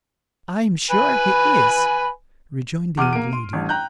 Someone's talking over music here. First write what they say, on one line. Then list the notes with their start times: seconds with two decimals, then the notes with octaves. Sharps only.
'I'm sure he is,' rejoined the old lady.
0.90 B4 G#5 B5
2.97 E2 D6 F6 D#7
3.13 A#3 D7
3.33 C6
3.53 A1 G2
3.69 G5 A#5 F#6 G6